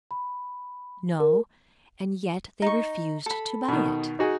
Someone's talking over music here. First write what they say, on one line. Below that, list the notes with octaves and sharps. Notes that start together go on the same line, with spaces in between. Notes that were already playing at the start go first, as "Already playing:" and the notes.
"No; and yet they refused to buy it."
B5
A#4
D#4 C#6
A4 B5
B2 D#3
D#4 F#4 G#4